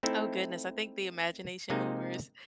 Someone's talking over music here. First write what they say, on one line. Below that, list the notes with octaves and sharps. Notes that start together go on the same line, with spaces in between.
oh, goodness, I think the Imagination Movers.
A3 C4 D#4 E4 A4
C3 G#3 A#3 C4 D#4